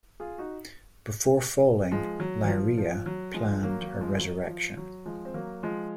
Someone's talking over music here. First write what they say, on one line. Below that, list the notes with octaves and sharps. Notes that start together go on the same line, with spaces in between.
Before falling, Illyria planned her resurrection.
F4 G#4
D#4 F#4
F3 G#3
F#3
F#3
F3
F3
F#3
F3 G#3
F#3 A#3
F#3 A#3
F3 G#3
F3
F#3
F3
F#3
F3 G#3
C4
F#3 A#3
F3 G#3